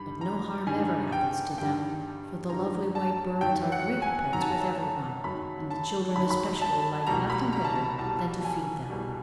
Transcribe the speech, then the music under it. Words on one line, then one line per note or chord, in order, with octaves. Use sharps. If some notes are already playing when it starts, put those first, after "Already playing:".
But no harm ever happens to them, for the lovely white birds are great pets with every one, and the children especially like nothing better than to feed them.
Already playing: G2 D#3 G3 B5
A#5
G2 D#3 G3 G#5
G5
G2 D#3 G3 G5
G2 D#3 G3 A#5
A5
F#2 D#3 F#3 G5
F#5
G#5
F#2 D#3 F#3 A#5
A5
A#5
F#2 D#3 F#3 B5
A5
F#2 D#3 F#3 B5
B5
A5
C2 B2 G3 A#5
B5
A#5
A5
A#5
C2 B2 G3 A5
G#5
C2 B2 G3